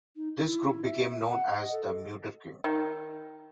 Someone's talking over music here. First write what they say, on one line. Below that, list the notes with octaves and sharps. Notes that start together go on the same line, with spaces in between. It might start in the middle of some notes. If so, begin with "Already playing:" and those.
This group became known as the Muiderkring.
D#4
E4
E4
E5
F#5
D#5
A4
D#3